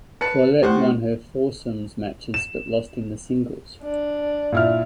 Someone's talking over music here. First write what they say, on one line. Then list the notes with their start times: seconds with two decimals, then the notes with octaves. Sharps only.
Corlett won her foursomes matches but lost in the singles.
0.21 B4 A5 C#7
0.63 A2 A3 G4 C5 F#5
2.34 E7
3.83 D4
4.52 A#2 E4 F6